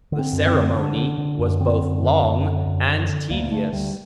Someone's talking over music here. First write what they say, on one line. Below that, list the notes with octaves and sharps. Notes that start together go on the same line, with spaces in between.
The ceremony was both long and tedious.
D3
C4
F#2
C4
D3
D3 D4
D3
D3
F#2
D3 C4
F#2
D3
F#2
D3
F#2
D3
D3
D2 A#3
D2 A3
D2 G3